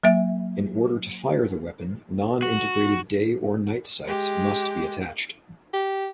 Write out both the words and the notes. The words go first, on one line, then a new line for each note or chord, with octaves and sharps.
In order to fire the weapon, non-integrated day or night sights must be attached.
F#3 A#3 E5
F#4
G#3 G4
G4